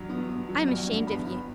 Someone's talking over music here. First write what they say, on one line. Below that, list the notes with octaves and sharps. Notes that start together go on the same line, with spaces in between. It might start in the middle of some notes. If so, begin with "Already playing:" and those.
I am ashamed of you.
Already playing: G2 F#3
B3
B3
F#3
G2
G2
B3 B5
B3